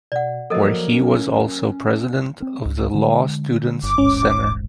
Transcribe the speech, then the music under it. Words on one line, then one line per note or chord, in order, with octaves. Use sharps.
Where he was also president of the Law Students Center.
B2 D5 F#5
F3 F#3 A#3 A4 A#4 D#5
C#4
C4
C#2
D3 G#3
G1 D6
D#1 A1 G#2 C#4